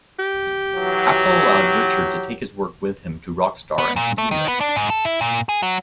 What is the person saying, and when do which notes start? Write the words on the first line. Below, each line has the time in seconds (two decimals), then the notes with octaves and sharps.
Apple allowed Richard to take his work with him to Rockstar and continue it.
0.19 G4
0.76 E3 F#3
3.79 B3
3.96 A#2
4.18 A3
4.31 D#3
4.48 B3
4.61 D4
4.76 G#2
4.90 A4
5.05 E4
5.21 A#2
5.49 G#4
5.63 F#3